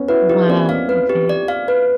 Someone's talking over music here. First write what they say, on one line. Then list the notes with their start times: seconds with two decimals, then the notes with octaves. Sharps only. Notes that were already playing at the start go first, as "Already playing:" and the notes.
Wow, okay.
Already playing: B3 C#4
0.09 E4 F#4 B4
0.29 D#4 F4 G4
0.49 A#3 C4 D5
0.69 B3 C#4 F5
0.89 B4
1.09 G4
1.29 D5
1.48 F5
1.68 B4